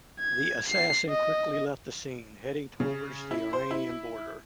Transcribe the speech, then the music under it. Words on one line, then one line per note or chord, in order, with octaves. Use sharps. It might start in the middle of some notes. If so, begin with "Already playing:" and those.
The assassin quickly left the scene, heading towards the Iranian border.
G#6
C7
D#5
C#3
E4
C5
E4